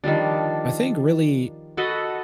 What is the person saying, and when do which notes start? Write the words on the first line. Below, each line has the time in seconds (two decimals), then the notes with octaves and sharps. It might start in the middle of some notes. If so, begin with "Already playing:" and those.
I think really,
0.04 D#3 F3 G3 D4
1.77 F#4 A4 B4 D#5